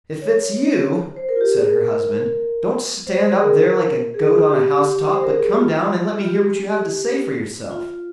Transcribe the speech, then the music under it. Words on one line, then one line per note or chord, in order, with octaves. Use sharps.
'If it's you', said her husband, 'don't stand up there like a goat on a house-top, but come down and let me hear what you have to say for yourself.'
C#5
C5
A#4
F4
G4
G#4
A#4
C5
G#4
A#4
G#4
G4
C5
A#4
G#4
G4
F4
F4
G4
F4